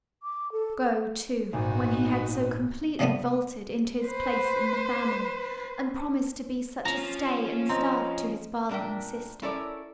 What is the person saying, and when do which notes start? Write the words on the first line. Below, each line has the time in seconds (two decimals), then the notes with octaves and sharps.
Go, too, when he had so completely vaulted into his place in the family, and promised to be such a stay and staff to his father and sister.
0.23 D6
0.52 A4
1.53 G#1 A#2 D#4 F#4
2.99 C3 F3 G3 A3 B3
4.05 B4 C5
6.85 F3 C#4 A#5
7.69 C4 D#5 A#5
8.69 A#2 D4 A#4 E5 G5
9.42 C#4 E4 A4 A#4 C#5 D5